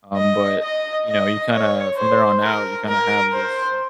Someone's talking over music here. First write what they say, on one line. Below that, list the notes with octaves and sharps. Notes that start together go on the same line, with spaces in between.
Um, but, you know, you kinda from there on out, you kinda have this, uh,
D#5
D#5
D#5
C#5
C5
A#4
A#4
C5